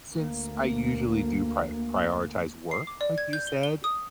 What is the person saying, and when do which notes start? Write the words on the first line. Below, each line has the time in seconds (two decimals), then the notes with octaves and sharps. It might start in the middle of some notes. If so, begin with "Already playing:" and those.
since I usually do prio prioritize work, like you said,
0.10 D2 A#3
2.71 C7
2.87 D6
3.01 D5
3.18 G#6
3.33 G6
3.47 G7
3.63 G7
3.84 D#6